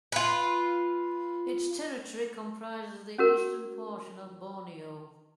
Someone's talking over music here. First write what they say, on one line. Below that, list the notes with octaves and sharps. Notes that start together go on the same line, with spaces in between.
Its territory comprises the eastern portion of Borneo.
F4 B4
C#4 F#4 A#4